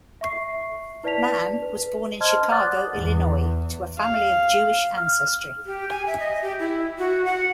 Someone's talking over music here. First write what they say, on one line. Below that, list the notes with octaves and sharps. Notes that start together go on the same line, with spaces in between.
Mann was born in Chicago, Illinois to a family of Jewish ancestry.
E5 C#6 C7
E4 B4 D5 A5 B6 F7
B4
C5 D#5 A5 C6 F6 G#6
D5 F#5 D6 D#6 F#6 A6
E2
F5
F6
G4
G#5
E5
D#5
G4
E4
F#4
F#5